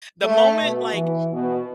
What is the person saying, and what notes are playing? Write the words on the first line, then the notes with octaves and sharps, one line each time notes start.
The moment like,
A3
B2
E3
B2